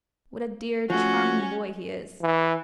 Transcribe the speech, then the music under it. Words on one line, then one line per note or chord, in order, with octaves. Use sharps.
"What a dear, charming boy he is!"
F3 A3 C#4 F#4
E3